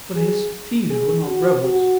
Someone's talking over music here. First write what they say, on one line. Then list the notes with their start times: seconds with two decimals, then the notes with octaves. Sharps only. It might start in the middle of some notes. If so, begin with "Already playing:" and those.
But his thieves were not rebels.
0.16 G#4
0.90 G#4
1.27 F#4
1.63 F#4